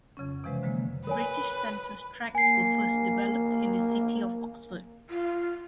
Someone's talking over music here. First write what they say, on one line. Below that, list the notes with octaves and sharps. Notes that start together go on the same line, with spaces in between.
British census tracts were first developed in the city of Oxford.
F2 C#3 F#3 C#4
C3 E3 F3 G#3 B4 C5
D3 G#3 A#3
A#4 B4 C#5 G#5
A#3 G#5 C7
F4